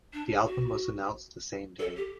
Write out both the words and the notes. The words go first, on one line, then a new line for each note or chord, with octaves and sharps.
The album was announced the same day.
D4
F#4
A4
G4